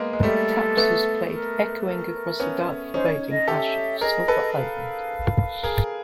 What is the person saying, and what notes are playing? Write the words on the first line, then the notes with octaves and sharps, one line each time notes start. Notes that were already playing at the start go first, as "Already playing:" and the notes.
Taps was played echoing across the dark foreboding ash of "Sulfur Island".
Already playing: G#3 A#3 B3
G#3
G3 A3 A4
A3 B3
A#4
A#4
B3 C#4
C#4 D#4 C5
D5
C#5
D#5
G4 A4 E5
G#4 A#4 D#5
A4 B4
F5
G#4 A#4